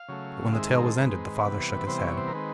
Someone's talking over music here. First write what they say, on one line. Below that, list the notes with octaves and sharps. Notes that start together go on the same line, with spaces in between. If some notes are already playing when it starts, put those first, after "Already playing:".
But when the tale was ended the father shook his head.
Already playing: F5
C#3 F#3 A3
G#2 D#3 G#3 C4 E5
A#4
A#4
A4
G#2 D#3 G#3 C4 B4
C3 E3 G3 B3
C3 E3 G3 B3 C5
C#5
C5
A#4
D#3 G#3 C4 B4